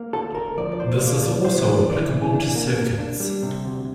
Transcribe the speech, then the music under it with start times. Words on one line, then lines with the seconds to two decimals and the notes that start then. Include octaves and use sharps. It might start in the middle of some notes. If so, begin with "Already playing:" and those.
This is also applicable to circuits.
Already playing: A#3
0.13 D2 A4
0.35 D2 A#4
0.58 F3 D5
0.72 D5
0.79 D2 C5
1.01 A#3 D5
1.22 F3 D5
1.45 E3 C5
1.67 D4
1.89 E3 D5
2.11 E3
2.33 D4
2.55 A#3
2.77 A#3
2.98 D4
3.20 G3
3.43 C3
3.65 D2